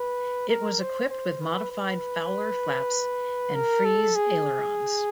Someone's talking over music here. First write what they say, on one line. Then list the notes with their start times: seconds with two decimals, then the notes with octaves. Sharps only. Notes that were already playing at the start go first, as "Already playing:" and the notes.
It was equipped with modified Fowler flaps and Frise ailerons.
Already playing: B4
0.49 A#4
0.80 C5
1.10 C5
1.41 B4
1.71 B4
3.55 A#4
3.85 A4
4.15 G#4